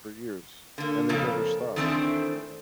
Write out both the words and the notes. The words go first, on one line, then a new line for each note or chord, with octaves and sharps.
for years, and they've never stopped.
D3 A#3
F2 C#3 A#3 A4
D#3 E3 A3 C4 D4 C5